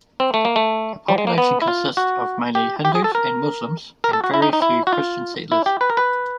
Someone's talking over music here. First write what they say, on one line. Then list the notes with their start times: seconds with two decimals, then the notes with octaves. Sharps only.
The population consists of mainly Hindus and Muslims and very few Christian settlers.
0.20 C4
0.34 A3
0.45 A#3
0.56 A3
1.08 G3
1.18 G#3
1.27 A#3
1.38 B3
1.62 E4
1.68 F4
1.97 F#4
2.55 G4
2.85 G4
2.95 G#4
3.04 A4
3.15 A#4
4.04 A#4
4.13 A4
4.24 F#4
4.34 E4
4.42 D#4
4.53 D#4
4.62 E4
4.87 F#4
4.93 F4
5.52 E4
5.66 G4
5.81 B4
5.90 A#4
5.97 B4